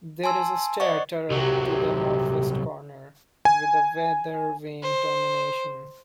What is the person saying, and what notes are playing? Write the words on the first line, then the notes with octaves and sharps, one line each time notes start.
There is a stair turret to the north-west corner, with a Weather vane termination.
G#5 A5 C6 E6
C5 D5 D#5 F#5 C#6
C2 C3 F#3 G4
G#5
C5